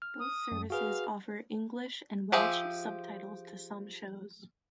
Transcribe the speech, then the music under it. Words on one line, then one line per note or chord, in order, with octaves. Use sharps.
Both services offer English and Welsh subtitles to some shows.
F6
D#6
F#2
F#4 G#4 B4 F5
F3 G4 G#4 E5